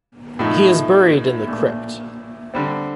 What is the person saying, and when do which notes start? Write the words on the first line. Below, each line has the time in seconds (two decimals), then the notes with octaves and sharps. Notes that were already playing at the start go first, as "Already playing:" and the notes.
He is buried in the crypt.
0.39 A2 F3 A3 D#4
1.47 A#2 A3 D4
2.54 D3 G3 C4